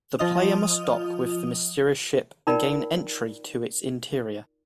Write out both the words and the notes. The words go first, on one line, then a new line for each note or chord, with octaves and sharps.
The player must dock with the mysterious ship and gain entry to its interior.
F3 F4 D#5 D#6 F7
D#4 F4 A#4 D5 G5 B5